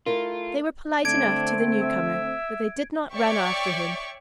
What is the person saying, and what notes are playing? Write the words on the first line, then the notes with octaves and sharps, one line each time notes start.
They were polite enough to the newcomer, but they did not run after him.
A3 E4 F4 A#4
D3 A3 C4 D4 G#6 D7
E5
C#5 D5 E5 G5 C#6